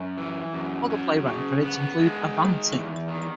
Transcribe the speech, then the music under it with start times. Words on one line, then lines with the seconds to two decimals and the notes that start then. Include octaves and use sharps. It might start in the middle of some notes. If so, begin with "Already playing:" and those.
Other playwrighting credits include Avanti!
Already playing: F#2
0.18 E3
0.54 F#2
0.90 F#3
1.26 C#3
1.63 B3
1.99 G#3
2.36 D#3
2.72 E2
3.08 D#3